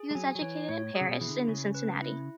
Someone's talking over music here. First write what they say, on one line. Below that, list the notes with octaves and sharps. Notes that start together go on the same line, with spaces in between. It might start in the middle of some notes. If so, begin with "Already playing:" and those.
He was educated in Paris and Cincinnati.
Already playing: G#4
G#3
F#3 G#5
F#3
E3 C#5
A2 C#5
G#4
C#3
B2
E3 E4
D3
C#3 C#4
B4
E4